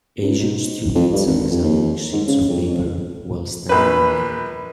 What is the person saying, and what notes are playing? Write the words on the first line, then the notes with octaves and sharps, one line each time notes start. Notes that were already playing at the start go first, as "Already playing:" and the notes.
Asian students are examining sheets of paper while standing in line.
C#2
G#2
F2
G2
G#1
F2
D#2
G#2
C#3
F2
F2
A#1 B4